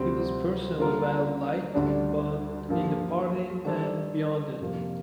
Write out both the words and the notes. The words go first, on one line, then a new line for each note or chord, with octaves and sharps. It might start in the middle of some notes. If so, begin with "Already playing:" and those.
He was personally well-liked, both in the party and beyond it.
Already playing: D2 C3 G3 C4
D3 G3 A#3 F4 A#4
D2 D3 G3 D4
G2 F3 A#3
D#3 G3 D4 A4 C5
F2 C3 F3 A#3